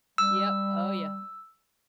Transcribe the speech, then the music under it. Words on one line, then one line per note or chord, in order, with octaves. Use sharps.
yep, oh, yeah.
G3 E6